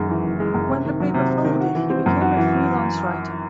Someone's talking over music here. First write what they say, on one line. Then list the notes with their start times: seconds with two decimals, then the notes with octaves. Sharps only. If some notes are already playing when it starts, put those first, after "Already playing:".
When the paper folded, he became a freelance writer.
Already playing: F#2 D#3 G#3
0.09 E3
0.24 F#1
0.40 G#3
0.54 F#2
0.69 C3
0.85 D#3
1.00 F#3
1.14 C3
1.30 C3
1.45 D#3
1.60 F#4
1.75 E3
1.90 C4
2.06 F#2
2.21 F#4
2.37 E3